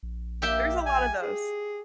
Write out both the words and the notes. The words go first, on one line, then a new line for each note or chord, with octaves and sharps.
There's a lot of those.
A#1
A#3 G4 E5 G5
G#5
G#4